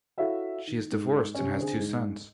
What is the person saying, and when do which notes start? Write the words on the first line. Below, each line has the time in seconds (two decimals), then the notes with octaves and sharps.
She is divorced and has two sons.
0.18 E4 F#4 A4 C#5 E5 F5
0.67 D#3
0.92 G#2
1.35 C3 C#4
1.58 D3 C4 G#4
1.80 G#2